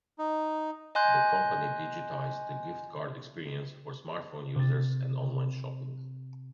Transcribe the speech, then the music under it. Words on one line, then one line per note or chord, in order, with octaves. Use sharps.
The company digitized the gift card experience for smartphone users and online shopping.
D#4
D#5 G#5 C6 F#6 G6
C3 A6